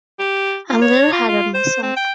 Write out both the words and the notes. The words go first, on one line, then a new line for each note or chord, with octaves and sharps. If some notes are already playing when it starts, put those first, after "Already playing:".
I'm very hard on myself.
G4
F4
C#5
F4
F4
C5
C4
G5